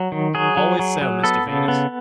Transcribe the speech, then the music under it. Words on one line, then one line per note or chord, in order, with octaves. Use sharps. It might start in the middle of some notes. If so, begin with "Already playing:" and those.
'Always so, Mr Venus.
Already playing: F#3
D#3
F#3 G#4
F#3
F#3
F#3
B3 A4
C#3
B3